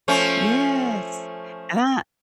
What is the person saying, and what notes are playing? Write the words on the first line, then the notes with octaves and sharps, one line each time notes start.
Yes, and I
F3 A3 C#4